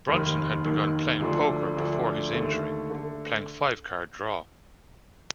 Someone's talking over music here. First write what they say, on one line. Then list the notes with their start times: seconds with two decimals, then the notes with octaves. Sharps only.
Brunson had begun playing poker before his injury, playing five-card draw.
0.09 F1 D#2 D#3
0.64 F1 D#2 D#3
1.21 D2 D3 F3 A3 D4
1.77 D2 D3 F3 A3 D4
2.33 D#2 D3 A3
2.90 D3 A3